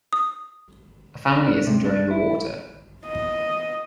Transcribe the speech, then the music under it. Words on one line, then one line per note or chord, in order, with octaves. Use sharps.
A family is enjoying the water.
D#6
D4
C3
D4
E4
D#5